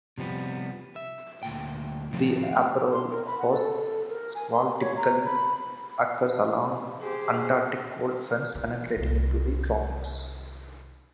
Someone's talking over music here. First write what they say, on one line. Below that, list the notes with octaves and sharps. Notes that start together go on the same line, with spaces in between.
The Abrolhos squall typically occurs along Antarctic cold fronts penetrating into the tropics.
C3 F3 G3 B3
E5
D2 A#2 G5
A2 D#3 F3 A3 C4
C6
A#4
B5
F#5
A4
A4
A#4
G#5
C6
C#5
A#5
B5
G4 G#4 C5
E3
C2 D#3